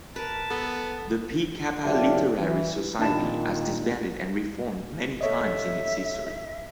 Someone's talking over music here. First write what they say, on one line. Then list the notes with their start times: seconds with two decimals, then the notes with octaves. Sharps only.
The Phi Kappa Literary Society has disbanded and reformed many times in its history.
0.16 A#4 B4 A5
0.50 B3 A4
1.84 F#1 F4 G4 A4 D5 E5
2.38 E3
2.99 A#2 D#3 D4 E4 A5
5.21 A4 C#5 D#5 E5